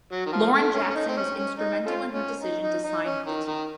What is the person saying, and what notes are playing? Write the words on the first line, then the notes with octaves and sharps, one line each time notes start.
Lauren Jackson was instrumental in her decision to sign with the team.
F#3
D#3
F3
A3
C#4
C#4
D#4
C4
C#4
C#4
D#4
A3 C#4 F4
C#4
D#4
D#4
D#4
C#4
D#3
D#3